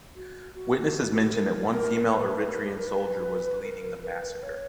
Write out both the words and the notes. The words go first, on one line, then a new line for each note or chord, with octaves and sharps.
Witnesses mention that one female Eritrean soldier was leading the massacre.
F#4
F#4
A#4
A#4
C#5
B4
A#4
G4
A#4
B4
A#4
B4
C#5